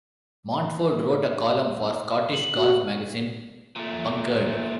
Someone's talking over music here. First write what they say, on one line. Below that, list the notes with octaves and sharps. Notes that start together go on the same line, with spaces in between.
Montford wrote a column for Scottish golf magazine, "Bunkered".
F#7
F#4
A#2 A3